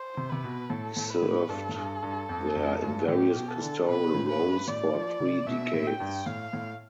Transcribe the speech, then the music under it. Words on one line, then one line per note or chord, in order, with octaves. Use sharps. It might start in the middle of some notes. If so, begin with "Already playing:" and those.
He served there in various pastoral roles for three decades.
Already playing: C5
C3
C3 B4
B2
A2 A4
A2
B4
A2
G2 A4
A2
G2
G2
F2
F2
G2
A2 G4
B2
A4
E3
D3
B2 B4
A2
B4
G2
A2 D5
F3
C3
B2 E5
A2
G5
G2
A2 F5
A2